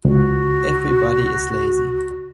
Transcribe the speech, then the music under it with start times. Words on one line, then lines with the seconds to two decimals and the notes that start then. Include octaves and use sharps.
Everybody is lazy!
0.05 C#2 F#4